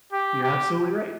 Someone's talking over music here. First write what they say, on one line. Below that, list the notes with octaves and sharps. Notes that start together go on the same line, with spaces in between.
You're absolutely right,
G4
G4